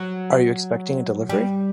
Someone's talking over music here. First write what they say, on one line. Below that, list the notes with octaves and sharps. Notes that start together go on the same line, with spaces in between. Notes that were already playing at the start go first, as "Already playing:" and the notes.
Are you expecting a delivery?
Already playing: F#3
G3